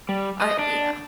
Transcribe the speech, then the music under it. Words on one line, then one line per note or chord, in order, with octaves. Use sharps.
I uh yeah.
G3
D#5
D4